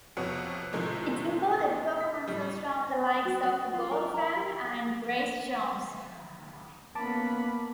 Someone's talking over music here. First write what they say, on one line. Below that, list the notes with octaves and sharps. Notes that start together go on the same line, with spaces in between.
It included performances from the likes of Goldfrapp and Grace Jones.
F2 C3 B3 F#4 C#5
A2 C3 D#3 F3 G#3 A3
B6
A2 G3
F#4
C#4
F4
A#4
A#5
G4
G#4
A#3 B3 C#4 A5 B5 D6